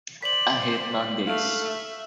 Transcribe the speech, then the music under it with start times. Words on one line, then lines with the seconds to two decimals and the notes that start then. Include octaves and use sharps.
I hate Mondays!
0.22 C5 D5 B6 F#7
1.26 A3 F5
1.67 E5